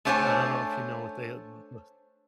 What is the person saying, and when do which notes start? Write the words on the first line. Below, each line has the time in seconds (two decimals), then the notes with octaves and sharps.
I don't know if you know what they, uh, v v
0.05 A3 D4 C5 C#5 F5 G#5